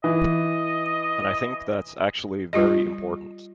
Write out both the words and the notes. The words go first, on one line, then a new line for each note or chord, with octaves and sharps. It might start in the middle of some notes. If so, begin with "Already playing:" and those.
And I think that's actually very important.
E3 D#5
G3 F4 G4 D#5